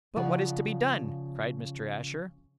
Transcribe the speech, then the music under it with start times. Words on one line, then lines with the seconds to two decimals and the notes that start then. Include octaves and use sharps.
"But what is to be done?" cried Mr. Asher.
0.16 C#3 F3 F4 D5 F#5